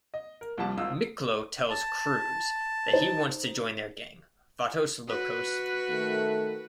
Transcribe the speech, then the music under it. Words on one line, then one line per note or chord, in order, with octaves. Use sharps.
Miklo tells Cruz that he wants to join their gang "Vatos Locos".
D#5
A#4
C2 F3 G3 A5
G#1 G#2 F4 D#6 E6
A5
D#4 C5
F#4 B4
D#3 A3